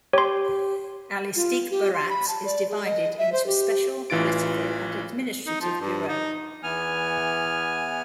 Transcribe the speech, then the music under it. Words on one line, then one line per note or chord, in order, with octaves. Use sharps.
Al-Istikhbarat is divided into a Special, Political and Administrative Bureau.
G4 C#5 C6
F4
G4
C6
B5
A5
D5
G#4
D#5
E5
C5
G4
A1 E3 F4 A6 D7
D#4
F3
G2
D#4
E2 E3 B3 G#5 F6